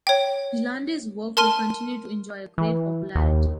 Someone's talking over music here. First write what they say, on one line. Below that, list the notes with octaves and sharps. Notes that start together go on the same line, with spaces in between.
Delalande’s work will continue to enjoy a great popularity.
C#5 G5
A#4 A5 C6 F6 D#7
E3
D#2